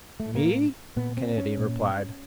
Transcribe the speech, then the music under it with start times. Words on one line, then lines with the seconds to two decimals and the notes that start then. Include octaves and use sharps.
"Me?" the Canadian replied.
0.20 A3
0.34 A2 A#3
0.96 A#2 B3
1.17 C4
1.38 C#4
1.58 A#2